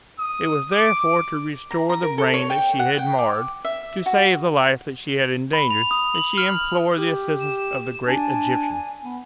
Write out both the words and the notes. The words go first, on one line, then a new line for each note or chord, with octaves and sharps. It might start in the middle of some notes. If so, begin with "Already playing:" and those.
It was therefore to restore the brain that she had marred, to save the life that she had endangered that she implored the assistance of the great Egyptian.
D#6
D6
A#5
A#5
A#4
A4
C#5
G5
F#5
G5
D6
E5
F#4
B5
F7
D#6
F#7
F6
F#7
G4
E7
D4 G#5
B3